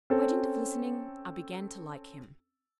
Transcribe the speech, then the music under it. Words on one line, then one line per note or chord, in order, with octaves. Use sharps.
By dint of listening, I began to like him.
C4 C#4 A4